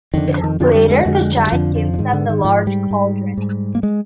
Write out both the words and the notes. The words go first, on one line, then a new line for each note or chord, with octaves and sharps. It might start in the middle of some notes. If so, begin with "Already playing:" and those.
Later the giant gives them the large cauldron.
F2 D3 D#3
D3
D#3
F2 D3 F3
G3
G#3
F2 D3 G#3
G#3
G3
G3
F2 D3 F3
F3
D3
G#2 D#3
D3
D#3
G#2 F3
G3
G#2
G#2
A#3
G#3